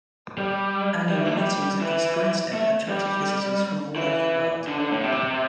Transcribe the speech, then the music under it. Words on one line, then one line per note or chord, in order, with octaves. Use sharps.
Annual meetings at East Grinstead attracted visitors from all over the world.
G3
G3
E3
A3
G3
E3
A3
G3
E3
D3
D3
A2
C3